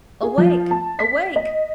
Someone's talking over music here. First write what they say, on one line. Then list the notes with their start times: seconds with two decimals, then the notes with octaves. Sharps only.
"Awake, awake!"
0.23 G#4
0.38 F3
0.71 A5
0.99 B6
1.36 D#5